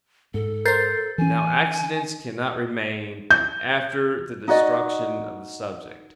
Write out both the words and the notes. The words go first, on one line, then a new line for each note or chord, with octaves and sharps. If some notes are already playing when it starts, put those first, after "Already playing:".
Now accidents cannot remain after the destruction of the subject.
G#2 A4
A#4 C5 G6 A6 C7
E3 C#4 G#5
G6
D#4 F#4 D5 D#5